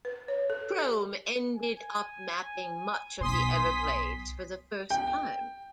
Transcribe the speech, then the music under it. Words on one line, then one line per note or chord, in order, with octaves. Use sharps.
Krome ended up mapping much of Everglades for the first time.
B4
C#5
A4
G4
G#5
B1 B2 C6 D#6 B6
G5